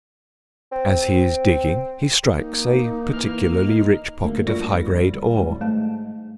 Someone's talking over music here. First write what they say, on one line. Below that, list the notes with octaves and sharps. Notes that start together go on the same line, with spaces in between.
As he is digging he strikes a particularly rich pocket of high-grade ore.
C4
A#3 D#4
E3 A#3 F6
D#4
D2 A3 A#3
G3 F4 D5
G#1 F#2 A2
G#2 A3 A5